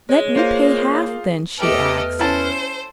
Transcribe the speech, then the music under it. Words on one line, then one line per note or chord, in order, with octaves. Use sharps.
'Let me pay half, then,' she asked.
G#3 C#5
A#3 F4 C5 F5
E2 A3 G4 A4 B4 D#5 F6
C#4 E4 C5 A5